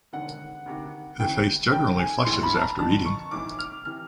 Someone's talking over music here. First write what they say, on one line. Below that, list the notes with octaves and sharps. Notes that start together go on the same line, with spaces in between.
The face generally flushes after eating.
E1 D#2 D3 F#5
D2 C3 D#3
D2 C#3 E3 G5
F1 D#2 C#3 G5
G#5
A#1 A2 E3 C6
B5
A5
A#5
F#1 F2 D3 A5
C#6
B1 A2 E3 D6
F6
C3 E3 F6